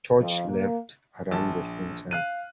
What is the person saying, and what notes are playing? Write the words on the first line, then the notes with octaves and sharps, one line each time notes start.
Tosh left around the same time.
F2
A#3
A#1 A5
F5 F#6 D#7